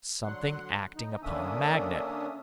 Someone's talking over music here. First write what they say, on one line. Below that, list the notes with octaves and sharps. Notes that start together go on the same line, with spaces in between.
Something acting upon a magnet.
D3 F#3 F#5 C6 F#6
D#4
D3 A#3 C#4 D4 E5 D#6